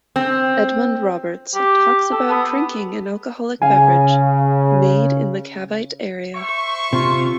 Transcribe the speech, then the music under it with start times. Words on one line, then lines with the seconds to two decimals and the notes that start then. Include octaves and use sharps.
Edmund Roberts talks about drinking an alcoholic beverage made in the Cavite area.
0.16 C4
1.55 G4
2.12 A4
2.31 B3
3.62 C#3 F5 G#5
6.36 C5 E5 C#6
6.93 C3 F4